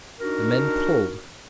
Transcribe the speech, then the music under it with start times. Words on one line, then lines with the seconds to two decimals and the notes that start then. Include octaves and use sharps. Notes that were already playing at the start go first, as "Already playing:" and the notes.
The men pulled.
0.21 D4 D#4 F#4 A#4